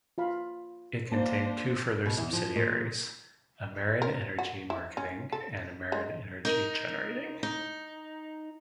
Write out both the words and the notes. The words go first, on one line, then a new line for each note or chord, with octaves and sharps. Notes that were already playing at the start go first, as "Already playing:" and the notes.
It contained two further subsidiaries, AmerenEnergy Marketing, and AmerenEnergy Generating.
F4 F5 B5
A#3 D4 C5 A5
B2
E2
F3
A#2
A#4
F#4
E4
C#4
A4
G#3
D#4 A#4
D#4